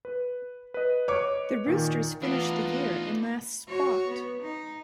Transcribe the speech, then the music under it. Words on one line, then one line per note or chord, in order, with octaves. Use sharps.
The Roosters finished the year in last spot.
B4
B4 D#5
C#5 D6
A#2 D#3
E3 A3 B3 D4 D#4 F4 B5
F#4 C#5
B3
D#4